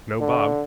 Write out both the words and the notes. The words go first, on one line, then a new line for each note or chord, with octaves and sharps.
No Bob.
D3